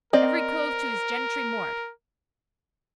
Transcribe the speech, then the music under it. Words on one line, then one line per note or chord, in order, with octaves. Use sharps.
Every cove to his gentry mort.
C4 A#4 D5 D#5